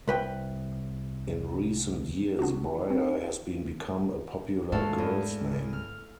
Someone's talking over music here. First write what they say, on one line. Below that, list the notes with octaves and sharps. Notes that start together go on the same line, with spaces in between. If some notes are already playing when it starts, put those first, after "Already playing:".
In recent years Bryher has been become a popular girl's name.
C2 B4 G5
B3 D4 F4 F#4
C4
D2 G#2 A4 F5
E2
F6